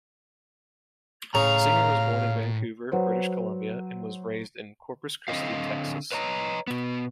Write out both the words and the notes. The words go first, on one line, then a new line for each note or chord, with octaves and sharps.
Singer was born in Vancouver, British Columbia and was raised in Corpus Christi, Texas.
A2 C#3 F5 A#5
F#3 B4 C5
D3 C4 D#5 F5
B4 C#5 D#5 A#5
B2 B3